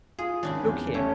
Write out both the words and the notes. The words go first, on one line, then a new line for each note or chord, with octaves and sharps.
Look here!
F4 G#4
G#1 C#3 D4 E4
E2
A3 C#4 G4 C#5